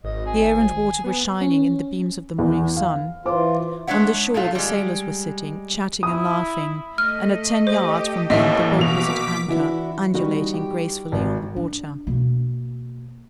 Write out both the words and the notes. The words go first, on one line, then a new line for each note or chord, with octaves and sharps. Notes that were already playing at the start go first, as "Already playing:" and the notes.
The air and water were shining in the beams of the morning sun; on the shore the sailors were sitting, chatting and laughing; and at ten yards from them the boat was at anchor, undulating gracefully on the water.
G#1 D#5
G#4
B3 G#4
C#4
E2
F5
E3 F4 C5 D6
G#3 D4 C#5 E5 F#5
A#2 G#3 A3 F4
G3 G#3
E4 D#6
A3 D#5 F6
G4 C5
A1 A2 E3 F3 A#3 D#5 E5
B2 D6 B6 F7
E3 D4 E4 F#4
E3 G3 D#4 F#4
G4
G#1
D4
B2 A#3